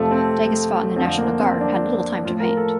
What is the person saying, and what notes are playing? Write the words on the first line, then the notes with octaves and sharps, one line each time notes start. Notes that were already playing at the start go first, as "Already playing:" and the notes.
Degas fought in the National Guard and had little time to paint.
Already playing: F2 C3 F3 A3
C4
F2 D3 F3 C4
A#3
C4
D4
A2 F3 F4
A#4
A4